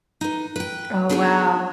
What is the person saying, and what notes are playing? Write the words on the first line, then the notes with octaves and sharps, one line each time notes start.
Oh, wow.
D#4 B4
B4 G5
B3 D4 D#4 G#4 G5